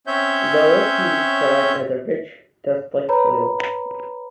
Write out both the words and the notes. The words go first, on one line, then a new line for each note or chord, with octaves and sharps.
Loess can be described as a rich, dust-like soil.
C4 C#4 C#5 E5 G6
B4 C#5 A#5 B5